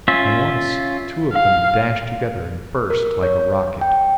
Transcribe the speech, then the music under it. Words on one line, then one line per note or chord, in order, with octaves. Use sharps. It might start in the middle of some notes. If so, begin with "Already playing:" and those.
And once two of them dashed together and burst like a rocket.
C#4 F4 E5
F5
A#4
C#5
G5